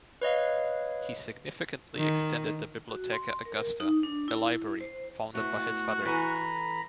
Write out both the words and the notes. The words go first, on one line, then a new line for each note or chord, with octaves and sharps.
He significantly extended the Bibliotheca Augusta, a library founded by his father.
B4 C#5 D#5 F5
D#3
F#4
C6
A#4
D#4
D4
E4
C5
E2 A3 F#4
E3 A4 G#5 A#5 B5